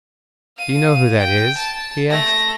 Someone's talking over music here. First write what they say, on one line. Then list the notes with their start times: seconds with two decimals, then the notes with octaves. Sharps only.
"Do you know who that is?" he asked.
0.57 F5 D#7
1.17 G5
1.57 A5
2.10 A3 A#6